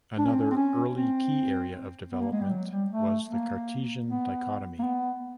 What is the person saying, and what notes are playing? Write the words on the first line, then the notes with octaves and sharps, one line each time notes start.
Another early key area of development was the Cartesian Dichotomy.
D4
C#4
C4
C#4
C4
C#4
C4
B3
A#3
G#3
G3
F#3
G3
A3
A#3
B3
A#3
B3